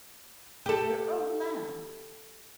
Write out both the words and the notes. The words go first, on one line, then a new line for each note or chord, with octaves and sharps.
Their own Lamb!
G4 A4